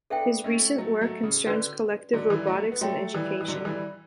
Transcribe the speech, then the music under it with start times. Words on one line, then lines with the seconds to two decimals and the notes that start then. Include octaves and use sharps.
His recent work concerns collective robotics and education.
0.10 B3 D4 A4 E5 G5
0.44 A3 C#4
0.78 F#3 A3
1.01 F#3 A3
1.23 C#3
1.46 D3 C#4 F#4 B4 D5
2.13 D3 F#3
2.30 E3 G3
2.47 F#3 A3
2.72 B3
2.81 F#3 A3 F#4 C#5 G5
3.15 E3 G3
3.41 E3
3.48 D3 F#3
3.65 E3 G3